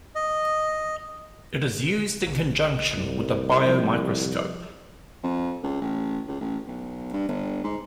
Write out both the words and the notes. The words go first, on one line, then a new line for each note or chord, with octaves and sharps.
It is used in conjunction with a biomicroscope.
D#5
A#1
C2
F3
F2
C#2
A1
C#2
A1
B1
G2
G1
G#2